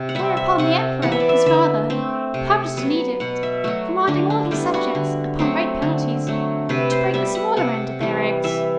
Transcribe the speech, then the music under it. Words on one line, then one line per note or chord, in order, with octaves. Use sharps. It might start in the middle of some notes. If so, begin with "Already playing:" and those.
Whereupon the emperor his father published an edict, commanding all his subjects, upon great penalties, to break the smaller end of their eggs.
Already playing: C3
F#5
G3 C4 E5
E5
C3 F#5
E3 B3 F#5
E5
D5
E5
D3 E5
A3 C4
C3
F#3 B3
B2 F#5
E5
F#3 A3 F#4
D3 D4
D4
G3 B3 E4
F#4
D3
F#3 A3 C4
D3
F#3 A3
C3 B4
C5
G3 B3 E5
F#5
C3 F#5
E3 G3
E3 E5